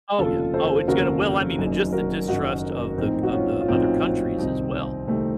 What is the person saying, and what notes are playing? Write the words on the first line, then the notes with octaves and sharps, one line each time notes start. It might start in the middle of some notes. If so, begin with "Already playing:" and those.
Oh, yeah, oh, it's gonna Well, I mean, just the distrust of the g of the other countries as well.
F1 D#2 C#3 F4 A4
A4 C5
F1 D#2 C#3 F#4 A#4
F#1 F#2 D#3
F#4 A#4
F#1 F#2 D#3 D#4 F#4
A#1 A2 C4 D#4
F#4
C#4 F4
F4
A#1 A2 C4 D#4
C2 C3 D#3 C4 D#4
C2 C3 D#3 A3 C4